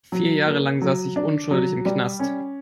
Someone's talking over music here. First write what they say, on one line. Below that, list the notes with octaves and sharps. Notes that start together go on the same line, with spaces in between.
Vier Jahre lange saß ich unschuldig im Knast.
F#3
A#3
F#3
D4
F#3
G3
C#4